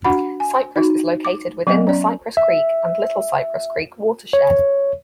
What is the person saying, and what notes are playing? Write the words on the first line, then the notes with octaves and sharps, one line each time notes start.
Cypress is located within the Cypress Creek and Little Cypress Creek watershed.
D4 F#4 F#5 B5
G#5
D#4 F#4
D6
F#3 B3 C4 D#5
C#4 D5
E5
C#5